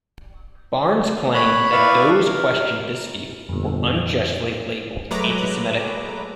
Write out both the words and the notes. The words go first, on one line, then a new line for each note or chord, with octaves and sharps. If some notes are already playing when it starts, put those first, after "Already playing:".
Barnes claimed that those questioned this view were unjustly labeled anti-Semitic.
C#5 B5 F#6
E4 B4 D5 F5 B5 C#6
A#4
G1 F2 A#2
F#3 G#3 A3 B4 A#5 D6